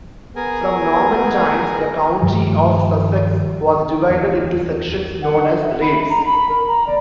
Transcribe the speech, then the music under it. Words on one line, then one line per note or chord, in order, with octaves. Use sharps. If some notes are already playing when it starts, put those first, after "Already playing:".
From Norman times the county of Sussex was divided into sections known as "rapes".
B3 G#4 A#4 G#5
G2 D#3 F3 G3
D1 E2
F#5
D#5
E5
B5
A#5
B5
A#4
A#5
D5